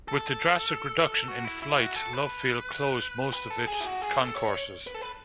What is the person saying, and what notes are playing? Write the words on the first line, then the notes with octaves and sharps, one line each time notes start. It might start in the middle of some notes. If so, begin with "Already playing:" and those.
With the drastic reduction in flights, Love Field closed most of its concourses.
A4
F#4
E4
E4
F#4
A4
B4
B4
A4
G#4
E4
F#4
G#4
A4
C#5
B4
A4
B4